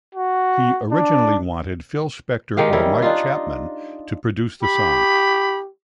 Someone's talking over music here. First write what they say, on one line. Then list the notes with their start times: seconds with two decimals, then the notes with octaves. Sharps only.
He originally wanted Phil Spector or Mike Chapman to produce the song.
0.15 F#4
0.92 D4
2.57 D#3 G#3 G4 F5
2.73 D#3 G3 C#4 E4
3.02 D4 D#4 F4
4.62 G4 B5